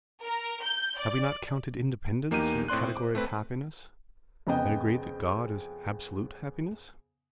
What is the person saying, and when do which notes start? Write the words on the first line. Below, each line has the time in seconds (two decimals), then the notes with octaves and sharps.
Have we not counted independence in the category of happiness, and agreed that God is absolute happiness?'
0.24 A#4
0.63 G6
0.98 D5
2.31 E2 A#3 D#4 G4 D#7
2.68 A2 C4 D5 C6 F#6
2.92 C5 D6
3.15 A3 C4 B4
4.47 F2 C#3 B3 D#5 G5